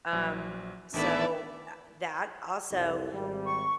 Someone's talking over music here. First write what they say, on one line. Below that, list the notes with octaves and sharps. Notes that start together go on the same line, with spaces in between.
Um, so, eh, that also
A#1 F#3
A1 D#3 B3 D4 E4 A4 D5 E5
C2 F2
G#1 G3
C#6